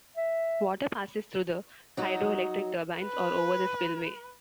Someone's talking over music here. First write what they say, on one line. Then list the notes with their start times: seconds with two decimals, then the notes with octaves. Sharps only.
Water passes through the hydroelectric turbines or over the spillway.
0.16 E5
1.97 F#3 D#4 F#4
3.01 B4